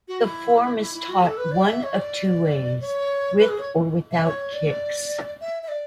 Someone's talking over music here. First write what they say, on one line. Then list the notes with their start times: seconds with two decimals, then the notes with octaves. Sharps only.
The form is taught one of two ways: with or without kicks.
0.08 F#4
0.22 E4
0.79 E4
0.95 E4
1.09 F#4
1.22 A4
1.37 B4
1.52 D5
1.66 E5
1.83 C#5
1.96 D5
2.81 C#5
3.38 B4
3.48 G#4
3.59 C#5
4.11 E5
4.25 C#5
4.53 D5
5.41 E5
5.63 E5
5.68 D5